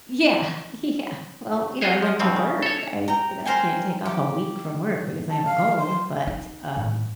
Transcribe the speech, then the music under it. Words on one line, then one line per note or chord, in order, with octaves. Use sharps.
Yeah, yeah. Well, you know, I went to work. I you know, I can't take off a week from work because I have a cold, but, um.
F4 F#4 G#4 C5 C#5
F3
G2 B2 C4
C#3
A4 C#5
G5 A#5
A#4 C5 G5 G#5
G4
A5
F5
C6
D#4
A2